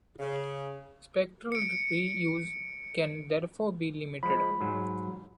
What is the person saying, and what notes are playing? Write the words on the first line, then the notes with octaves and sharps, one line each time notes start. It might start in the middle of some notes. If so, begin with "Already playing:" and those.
Spectral reuse can therefore be limited.
C#3
C#7 D7
F3 G#3 B5
G#2 F#3